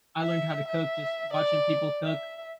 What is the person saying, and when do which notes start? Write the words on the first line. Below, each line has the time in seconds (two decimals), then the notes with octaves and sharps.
I learned how to cook- just watching people cook
0.23 E5
0.68 E5
1.33 D5
2.05 E5